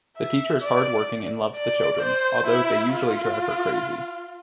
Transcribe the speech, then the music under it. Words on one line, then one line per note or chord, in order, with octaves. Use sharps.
The teacher is hard-working and loves the children, although they usually drive her crazy.
E5
D5
D5
C5
E4
F4